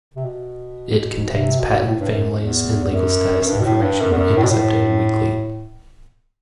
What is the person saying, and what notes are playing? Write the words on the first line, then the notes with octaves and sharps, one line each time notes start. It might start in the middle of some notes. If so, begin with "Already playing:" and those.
It contains patent families and legal status information, and is updated weekly.
C3
B2
C3
B2
A2
G2
F#2
E2
E2
F#2
F#2
G2
B2
A2
G2
F#2
E2
F#2
A2
B2
A2